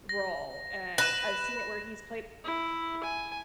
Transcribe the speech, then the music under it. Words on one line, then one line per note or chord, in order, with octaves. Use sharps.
role, and I've seen it where he's played
A#6
B4 A#6 E7
E4
G#5